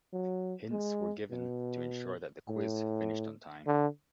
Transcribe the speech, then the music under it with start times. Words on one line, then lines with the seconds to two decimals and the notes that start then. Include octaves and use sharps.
Hints were given to ensure that the quiz finished on time.
0.13 F#3
0.71 G#3
1.30 B2
2.49 A2
3.66 D3